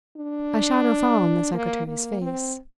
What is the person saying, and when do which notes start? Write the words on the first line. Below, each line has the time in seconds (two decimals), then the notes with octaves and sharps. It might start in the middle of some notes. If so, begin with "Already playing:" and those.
A shadow fell on the secretary's face.
0.17 D4
1.54 A#3
1.87 A#3
2.21 C4